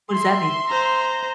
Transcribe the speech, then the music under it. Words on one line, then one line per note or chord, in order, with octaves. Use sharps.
What does that mean?
E5 C6
C5 A#5